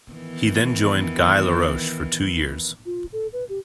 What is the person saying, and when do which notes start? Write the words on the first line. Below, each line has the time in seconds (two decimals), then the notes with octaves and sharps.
He then joined Guy Laroche for two years.
0.11 D#3 E3 B3
2.86 F4
3.13 A4
3.33 B4
3.49 G4